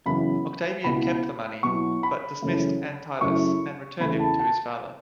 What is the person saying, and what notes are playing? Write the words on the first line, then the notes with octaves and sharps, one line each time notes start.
Octavian kept the money, but dismissed Antyllus and returned him to his father.
F#2 C#3 E3 B3 B5
C#2 B2 B3 E4 B5
B2 F#3 B3 E4 C#6
B5
F#2 C#3 E3 A3 C#4
F#2 C#3 A3 E4 C#6
E2 C#3 A3 E4 B5
A5
A5